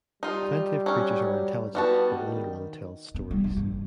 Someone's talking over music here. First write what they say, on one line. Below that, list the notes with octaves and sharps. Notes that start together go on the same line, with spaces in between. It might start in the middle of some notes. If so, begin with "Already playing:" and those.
Plenty of creatures are intelligent but only one tells stories.
G3 D#4 F4
F#3 C#4
G3 B3 F#4 A5
D#3
B3
G3
E4
G2
F#1